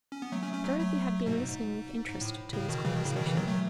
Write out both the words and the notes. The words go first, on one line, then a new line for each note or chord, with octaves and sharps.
Dorothy had been listening with interest to this conversation.
C#4
B3
F#3 A3
A3 C#4
A3 C#4
F#3 A3
F#3 A3
G#2 B2
G#2
G#2
G#2
A2
A2 C#3
B2 D#3
C#3 E3
B2 D#3
A2 C#3
B2 D#3
C#3 E3
D#3 F#3
F#3 A3